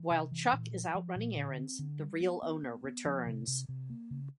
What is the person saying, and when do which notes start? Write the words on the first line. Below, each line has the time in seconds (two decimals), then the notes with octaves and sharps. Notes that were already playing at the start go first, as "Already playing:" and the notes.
While Chuck is out running errands, the real owner returns.
Already playing: E3
0.10 C3
0.31 E3
0.53 A#2
0.73 F3
0.95 F3
1.16 A#2
1.36 D3
1.57 C4
1.79 D3
2.00 G3
2.21 B3
2.42 B3
2.63 B3
2.84 B3
3.05 F3
3.26 C3
3.47 C3
3.69 C3
3.90 A#3
4.11 C#3